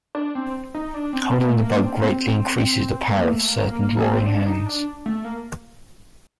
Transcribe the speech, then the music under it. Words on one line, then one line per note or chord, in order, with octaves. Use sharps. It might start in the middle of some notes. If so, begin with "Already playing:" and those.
Holding the bug greatly increases the power of certain drawing hands.
D4
C4
D#4
D4
C4
A#3
A3
A#3
D4
C4
A#3
C4
A#3
A3
A#3
A#3
A#3
A#3
C4
D4
D#4
D4
A3
A#3